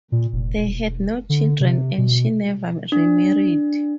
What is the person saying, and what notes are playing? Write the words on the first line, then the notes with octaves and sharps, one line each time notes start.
They had no children and she never remarried.
A#2
F1
E1
D3
C3
B2
D4